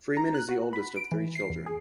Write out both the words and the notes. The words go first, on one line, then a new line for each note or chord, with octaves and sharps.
Freeman is the oldest of three children.
A#5
F#6
F#4
B5
D7
E3
C7
E2
G#4